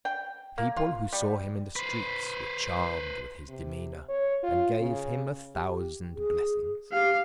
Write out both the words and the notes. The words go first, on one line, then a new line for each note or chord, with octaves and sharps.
The people who saw him in the streets were charmed with his demeanour, and gave him a thousand blessings.
G5
A#3
F4
G3
B4 C5
C3
C#5
F4
C#3
G4
G#4
G4 F5